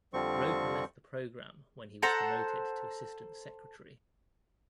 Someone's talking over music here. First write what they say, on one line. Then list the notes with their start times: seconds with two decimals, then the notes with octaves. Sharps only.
Roper left the program when he was promoted to Assistant Secretary.
0.13 F2 D3 F3 G3 C4 C#6
2.02 A4 C5 F#5 A#5